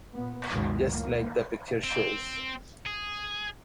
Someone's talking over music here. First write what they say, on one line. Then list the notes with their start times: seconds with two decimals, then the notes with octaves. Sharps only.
Just like the picture shows.
0.12 A#2 B3
0.48 C#2 F#2 B2 D#3 G#3
0.93 A2 A#3
1.84 C4
2.86 G#4